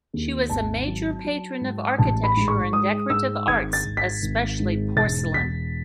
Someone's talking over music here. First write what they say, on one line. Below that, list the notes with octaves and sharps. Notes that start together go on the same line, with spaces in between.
She was a major patron of architecture and decorative arts, especially porcelain.
D#2
G#1 A5
F#3
F#3
G#2
A1 A5
B5
G#2
C#6
G#3 D#6
G#2 E6
G#1 G#6
A6
G#1
B6
G#1
G#2
E1 A6
E1 B6